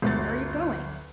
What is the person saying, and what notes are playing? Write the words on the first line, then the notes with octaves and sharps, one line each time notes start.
"Where are you going?"
G1 D2 A6